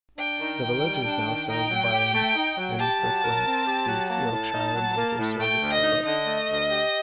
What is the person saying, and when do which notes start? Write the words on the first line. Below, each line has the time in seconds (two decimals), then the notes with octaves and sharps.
The village is now served by an infrequent East Yorkshire Motor Services bus.
0.18 D4 G5
0.40 D#3
0.61 D#3
0.83 G3
1.05 D4
1.27 D#3
1.48 D#4 G5
1.70 F#3
1.93 G4
2.14 A3
2.35 D#4
2.57 F#3
2.79 G4 A5
3.00 F#3
3.22 A#4
3.44 C4
3.66 G4
3.88 F#3
4.09 A#3 A5
4.31 A2
4.53 D#4
4.74 F#3
4.97 A#3
5.18 A2
5.39 A3 G5
5.61 D2
5.73 D#5
5.83 D#4
6.05 D3 D#5
6.26 A3
6.49 D2
6.71 G4